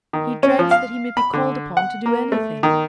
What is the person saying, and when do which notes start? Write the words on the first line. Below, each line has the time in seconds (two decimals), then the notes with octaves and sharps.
He dreads that he may be called upon to do anything.
0.13 D#3
0.43 C#4
0.59 F3
0.71 F5
1.17 B5
1.34 D3
1.77 F#5
2.06 A#3
2.32 A3
2.63 D#3